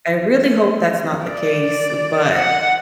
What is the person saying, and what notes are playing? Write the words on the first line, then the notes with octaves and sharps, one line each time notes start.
I really hope that's not the case, but
D5
F#5